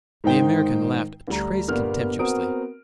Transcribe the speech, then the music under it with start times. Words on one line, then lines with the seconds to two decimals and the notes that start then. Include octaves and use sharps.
The American laughed a trace contemptuously.
0.24 G#2 D#3 D#4 C5 G5 G7
1.28 D2 G3 A#5
1.68 G1 A#2 G3 A#3 B3 F6
2.19 B3 C4 F#4 A#4 D#6 D7